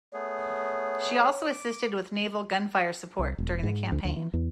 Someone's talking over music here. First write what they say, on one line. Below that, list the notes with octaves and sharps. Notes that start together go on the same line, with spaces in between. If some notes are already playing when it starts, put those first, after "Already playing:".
She also assisted with naval gunfire support during the campaign.
A3 B3 G#4 C#5
D6
C2
E1
G#2
D2
D2
E3
E2